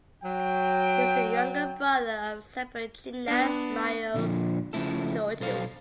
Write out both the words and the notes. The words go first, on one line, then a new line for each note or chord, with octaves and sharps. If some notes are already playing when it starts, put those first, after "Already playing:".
He is the younger brother of Cypriot gymnast Marios Georgiou.
F#3 G5
B3 D4
A#2 D3 E3 F3
C#3 F3 A3 E4 A4
B1 A4 C5 F5